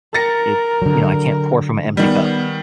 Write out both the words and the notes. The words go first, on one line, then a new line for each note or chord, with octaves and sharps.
it, you know I can't pour from a empty cup.
A#4 A6 A#6 C#7
D3 F#3
D#3 G3 B3